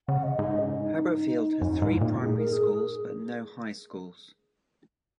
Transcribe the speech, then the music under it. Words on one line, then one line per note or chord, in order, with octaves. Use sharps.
Haberfield has three primary schools but no high schools.
C#3 F#5
D#5
G#2 D#5
C#4
D#4
F#2
G#2
A#2
G#4
A#4
G#4